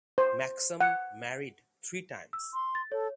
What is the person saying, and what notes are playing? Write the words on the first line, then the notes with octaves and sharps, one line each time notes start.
Maxam married three times.
C5
F#5
E6
C6
A6
A4 C#5